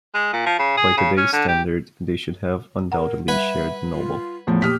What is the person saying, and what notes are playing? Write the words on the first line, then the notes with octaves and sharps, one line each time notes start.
By today's standard, they should have undoubtedly shared the Nobel.
G#3
A#2
F3
C#3
G#4
C#3
C#4
D3
G4
A#4 F#5 A#5
G3 B4 E5 F#5 G#5
F4
E2 A2 F3
A#2 A#3 G4 D#6 F6 B6